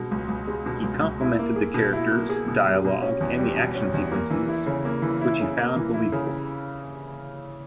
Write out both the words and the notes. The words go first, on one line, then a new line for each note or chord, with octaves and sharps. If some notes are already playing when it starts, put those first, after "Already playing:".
He complimented the characters, dialogue, and the action sequences which he found believable.
Already playing: B2 G#3
C#2
C#2
G#3
B2
C#2
C#2
E4
A#3
G#4
B2
E4
A#3
G#4
B2
G3
B2
C#4
E2
G3
B2
C#4
E2
A#3
E3
E4
C#3
A#3
E3
E4
C#3
A#3
E3
E4
C#3